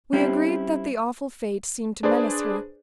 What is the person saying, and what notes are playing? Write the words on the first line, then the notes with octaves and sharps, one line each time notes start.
We agreed that the awful fate seemed to menace her.
G3 C4 C#4 D#4 E4 G4
D4 G#4 B4 C5 D5